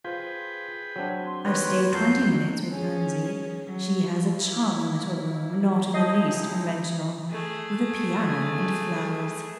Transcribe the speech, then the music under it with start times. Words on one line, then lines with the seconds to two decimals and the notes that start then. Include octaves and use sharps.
I stayed twenty minutes with Pansy; she has a charming little room, not in the least conventual, with a piano and flowers.
0.04 F4 G#4 B4 C5 G5
0.96 F#3 C4 D4
1.26 C6
1.45 D#3 G3 A#3 B4 C#5
1.93 F2 F#3 A4 A#4 G5 G6 C7
2.69 C#4 G#4
3.66 F#3
4.39 A#3 E4
5.94 A#2 D#4 E4 D#5 A5 G6 C7
7.30 A3 G#4